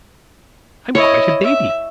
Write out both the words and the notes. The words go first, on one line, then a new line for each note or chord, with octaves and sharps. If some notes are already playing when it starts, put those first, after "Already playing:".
I'm quite a baby.
E4 C#5 D#5 C#6
E5